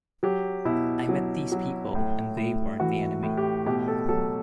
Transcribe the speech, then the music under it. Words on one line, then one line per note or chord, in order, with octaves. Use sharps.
I met these people and they weren't the enemy.
F#3 G4
B2 E4
F#3
F#3
A2
A2
E3 F#4
A2
G4
B2 G4
A4
F#3 A4